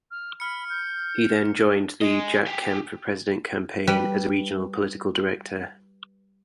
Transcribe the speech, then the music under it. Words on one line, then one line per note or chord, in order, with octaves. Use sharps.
He then joined the Jack Kemp for President campaign as a regional political director.
F6
B5 F6 C#7
G6
G#4 D#5
G4 G#4
G3 B4